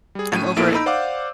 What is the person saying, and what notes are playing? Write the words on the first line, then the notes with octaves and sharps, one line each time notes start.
I'm over it.
G3 G#4
A2 A3 C#4 D#7
A#1 A#3 B3 E4 A4 D7
D#4 B5 E6 G6
C5 D5 F5 F#5 D6